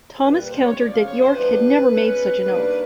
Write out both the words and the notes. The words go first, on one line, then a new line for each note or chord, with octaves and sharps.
Thomas countered that York had never made such an oath.
A#2 G3 A#3 B4
B4
C5
C#5
C#3 F3 A#3 D5
F5
C#5
C5
E3 G3 B3 D4 B4
B2 G#3 C#4
D#3 G3 A#3 D4